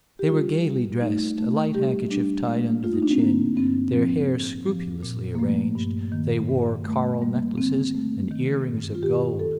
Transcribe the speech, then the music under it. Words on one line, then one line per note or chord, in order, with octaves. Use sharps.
They were gaily dressed, a light handkerchief tied under the chin, their hair scrupulously arranged; they wore coral neck-laces and earrings of gold.
G4
G3 F4
G3
A3 D#4
A3
G3 G4
G3 D4
A3 A#3
A3 F4
D#4
D4
C4
D3 A#3
G2 C4
F3 C4
A2
F3
A#2
A#3
F3 A3
G2
D#3 A#3
G2
G3 A3
G3 A#3
D3 C4
A3
D#3
G2
F4
D#3 G4
A4